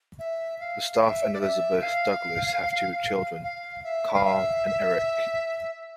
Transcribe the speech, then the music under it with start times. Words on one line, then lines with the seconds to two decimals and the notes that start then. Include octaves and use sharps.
Gustaf and Elisabeth Douglas have two children, Carl and Eric.
0.19 E5
0.60 F5
1.00 E5
1.33 D5
1.41 E5
1.81 F5
3.43 F5
3.84 E5
4.14 F5
4.24 E5